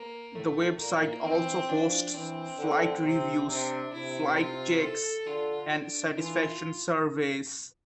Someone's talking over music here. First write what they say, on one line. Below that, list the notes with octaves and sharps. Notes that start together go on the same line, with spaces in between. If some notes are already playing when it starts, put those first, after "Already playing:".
The website also hosts flight reviews, flight checks, and satisfaction surveys.
Already playing: A#3
A2 A3
A#2 A#3
E3 C4
F3 D4
E3 C4
D3
C3
C3 D4
C3 E4
F4
A4
D3 F4
D4
E3 F4